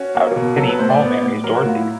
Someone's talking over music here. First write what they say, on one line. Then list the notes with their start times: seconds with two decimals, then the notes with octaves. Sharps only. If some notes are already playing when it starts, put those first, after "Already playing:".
Out of pity, Paul marries Dorothy.
Already playing: C#4 F#4
0.15 A#3
0.36 B2
0.57 F#3 A4
0.69 B4
0.79 A2 C5
0.90 D5
1.01 B3
1.22 A2
1.44 F#3 A#4
1.55 F#4
1.65 A2 F4
1.76 E4